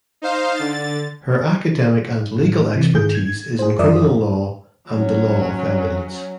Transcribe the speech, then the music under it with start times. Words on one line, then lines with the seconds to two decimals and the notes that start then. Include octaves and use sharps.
Her academic and legal expertise is in criminal law and the law of evidence.
0.22 D#4 C5 F5
0.55 D3 A6
2.39 A2
2.76 C3 E3
2.94 G#2 D#3 G#4 G6
3.15 G#6
3.59 G#4 C5
3.79 F#2 F3 A#4 D5 E5 D#6
4.90 F#3 C#4